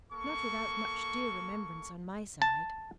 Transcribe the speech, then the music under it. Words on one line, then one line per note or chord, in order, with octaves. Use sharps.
Not without much dear remembrance on my side.
A#3 A4 C#6
A5